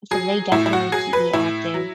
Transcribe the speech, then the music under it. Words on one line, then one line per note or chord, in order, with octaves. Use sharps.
so they definitely keep me active,
F#3 G#4
A2 E4
E4
F#4
F#3 G#4
B4
A2 E4
F#3